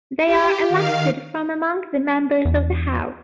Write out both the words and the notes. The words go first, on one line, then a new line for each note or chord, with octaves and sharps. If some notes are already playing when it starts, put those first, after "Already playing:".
They are elected from among the members of the House.
G4
D#3 F5
E2